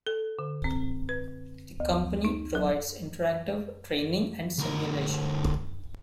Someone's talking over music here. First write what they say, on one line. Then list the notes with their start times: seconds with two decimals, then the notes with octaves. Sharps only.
The company provides "Interactive Training and Simulation".
0.07 A4
0.39 D3
0.64 C4
1.09 B4
1.80 D2
2.25 D#4
2.55 F#3
4.59 D2 A#4